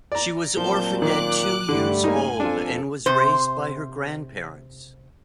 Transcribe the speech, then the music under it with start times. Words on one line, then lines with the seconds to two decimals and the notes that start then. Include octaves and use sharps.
She was orphaned at two years old and was raised by her grandparents.
0.12 D5 A#5
0.57 A#2 F3 F#3 C4 A5 G6
1.02 D#3 D6 F#6
1.69 G2 D3 G3 A3
2.04 A#3 D#4 G#5
2.40 F2 D4 F4 A4
3.06 C3 C5